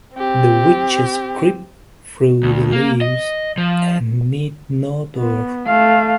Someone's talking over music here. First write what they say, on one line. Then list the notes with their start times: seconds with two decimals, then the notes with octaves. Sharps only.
The witches creep through the leaves and need no door.
0.16 C4 G4
2.43 D2
2.72 A#3
3.01 D#5
3.58 F3
5.17 B3
5.67 A3 F5